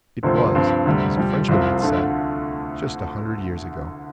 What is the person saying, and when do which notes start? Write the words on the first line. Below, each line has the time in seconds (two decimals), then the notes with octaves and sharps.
It was, as a Frenchman had said, just a hundred years ago.
0.23 D2 C3 F3 C4
0.55 G2 F3 C4 F4
0.85 D2 C3 G3
1.18 F2 C3 G3
1.49 C2 C3 F3 C4 F4
1.81 D2 D3 A3 F4